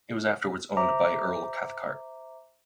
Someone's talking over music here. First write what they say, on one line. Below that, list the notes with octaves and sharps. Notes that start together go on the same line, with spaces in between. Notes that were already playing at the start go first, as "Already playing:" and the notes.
It was afterwards owned by Earl Cathcart.
C5 E5 A#5 D6